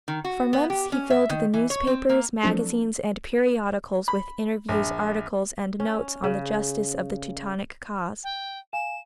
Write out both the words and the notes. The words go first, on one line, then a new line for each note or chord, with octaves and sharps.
For months he filled the newspapers, magazines, and periodicals with interviews, articles, and notes on the justice of the Teutonic cause.
D#3
F#4
B3
G4
C#4
E5
D#3
E3
C#5
C4
A#3
F3 F#3 A3 C4 D4 A4
B5
A#1
C#4
C#3
G5
F5 G#5 E7